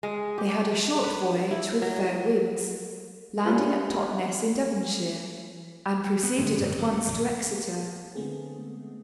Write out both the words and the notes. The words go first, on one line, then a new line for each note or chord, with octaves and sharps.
They had a short voyage with fair winds, landing at Totness, in Devonshire, and proceeded at once to Exeter.
G#3
G4
B4
E4
F#3
G3 A#3 B3 C#4 F4 B4
B3
G#2 D3 G#3 A3
F#2 B2 D#3 G3
G#1 F#2 F#3
A3
A#1 D#3
D3 G#3 A3 B3 C4 G#4